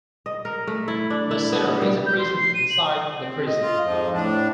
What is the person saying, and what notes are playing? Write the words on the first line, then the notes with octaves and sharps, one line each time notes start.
The centre is a prison inside the prison.
D#5
A#4
A3
E4
D4
E4
B3
G3
G6
C6
C7
D#7
F#7
C4
D#5
F4
F2 G#2 F3
A2 D4 D5